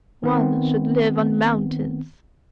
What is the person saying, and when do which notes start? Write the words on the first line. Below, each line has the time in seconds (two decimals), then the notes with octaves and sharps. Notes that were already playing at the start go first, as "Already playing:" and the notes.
One should live on mountains.
0.23 D#3 B3 C4